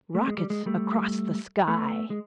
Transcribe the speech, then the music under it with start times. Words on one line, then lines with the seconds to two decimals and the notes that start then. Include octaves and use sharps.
Rockets across the sky!
0.15 A3
0.27 G#3
0.38 G3
0.50 G#3
0.66 G3 A3
1.68 A3 B3
2.10 G#3